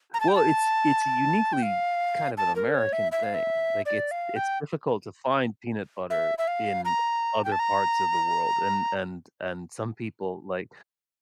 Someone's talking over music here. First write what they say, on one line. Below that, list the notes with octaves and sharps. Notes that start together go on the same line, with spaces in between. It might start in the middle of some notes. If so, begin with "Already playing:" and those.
Well, it’s it’s uniquely kind of an American thing. Like, it’s it’s difficult to find peanut butter in other parts of the world, and and and some people, like,
A#5
A5
G5
A5
G5
F5
A5
A#4
C#5
E5
E5
F5
E5
D5
F5
G5
E5
E5
F5
A#5
G5
A5
A#5